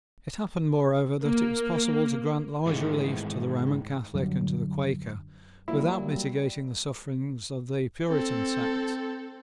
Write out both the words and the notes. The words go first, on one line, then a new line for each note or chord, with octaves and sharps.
It happened, moreover, that it was possible to grant large relief to the Roman Catholic and to the Quaker without mitigating the sufferings of the Puritan sects.
A#3
G#2 D#3 E3 G#3 A3
F#2 D3 F#3 G3
F#3 G3 A#3 E4
C4 A4